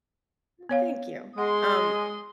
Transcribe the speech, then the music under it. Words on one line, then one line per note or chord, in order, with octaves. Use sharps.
Mm, thank you. Um,
B3 C#5 F5
G#3 F#5 C6 D#6